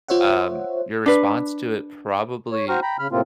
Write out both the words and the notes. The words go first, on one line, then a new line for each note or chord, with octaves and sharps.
um, your response to it probably
F4 C5 C#5 E5 F#5
D4 B4
C#5
F#4 C5 G5 A#5 C#6 F6
G5 A#5 B5
C#3 B5 F6
A2 C3 A#3 C4 F4